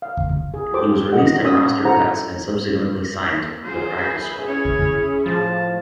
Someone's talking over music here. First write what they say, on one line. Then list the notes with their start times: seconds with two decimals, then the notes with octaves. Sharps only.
He was released at roster cuts and subsequently signed to the practice squad.
0.02 F5
0.54 G#4
0.72 F4 G4 A4 C5 D6
1.13 D#4 F#4 D#5 F#5
1.44 C#4 F#4 D#6 E6
1.85 E4 F#4 A4 C5 F#5 A#5
3.64 F#3 F4 G#4 C5
3.96 G#4 B4 E5
4.47 C#4 E4 G#4 C#5
5.26 A2 F3 A5